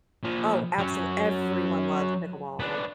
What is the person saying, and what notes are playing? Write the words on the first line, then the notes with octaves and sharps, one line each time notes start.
Oh, absolu everyone loves pickleball.
A#2 F3
F#3 C#4
B3 D4